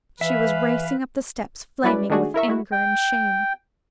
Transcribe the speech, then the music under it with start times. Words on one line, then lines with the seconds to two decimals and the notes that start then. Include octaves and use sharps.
She was racing up the steps, flaming with anger and shame.
0.21 E3 B4 E5 F5
1.84 F#3 G3 C#4 E4 B4 D5
2.10 D#3 G#3 A3 D4 F#4 G#4
2.34 E4 A#4 E5 C#6
2.48 G#3 E4 F#4
2.72 G5